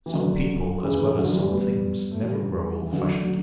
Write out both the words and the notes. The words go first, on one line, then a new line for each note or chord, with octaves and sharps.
Some people, as well as some things, never grow old-fashioned.
E3
D3 F#3
C#3 E3
C#3 E3
D3 F#3
E3 G3
G3 B3
A3
E3 G3
E3
D3 F#3
F#3